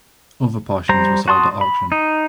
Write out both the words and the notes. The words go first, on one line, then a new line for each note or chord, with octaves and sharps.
Other portions were sold at auction.
G3 C5 A#5
F#4 A5 C6 D#6
B5
D#4